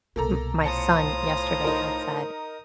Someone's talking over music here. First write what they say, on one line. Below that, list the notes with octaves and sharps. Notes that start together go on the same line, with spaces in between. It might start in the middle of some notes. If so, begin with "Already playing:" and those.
m my son yesterday had said
C2 B2 A#3 A4 A#5
A2 F4 C5 A5 A#5 D#6 C#7
D#4 A#4